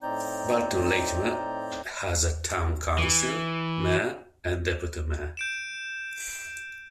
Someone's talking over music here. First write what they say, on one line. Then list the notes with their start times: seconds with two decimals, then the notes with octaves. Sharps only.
Burton Latimer has a town council, mayor, and deputy-mayor.
0.03 A2 C4 D#4 D5 A#5 G6
2.98 E3
5.37 G6 D7 E7